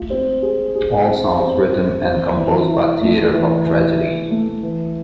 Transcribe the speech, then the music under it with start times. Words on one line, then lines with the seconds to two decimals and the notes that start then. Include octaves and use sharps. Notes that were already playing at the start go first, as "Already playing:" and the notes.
All songs written and composed by Theatre of Tragedy.
Already playing: A3 F4
0.10 C4
0.42 G#4
0.75 G#4
1.07 C4
1.39 C4
1.72 F4
2.05 C4
2.36 E3
2.69 E4
3.01 A3
3.33 E3
3.66 E3
3.98 E4
4.30 A3
4.63 E3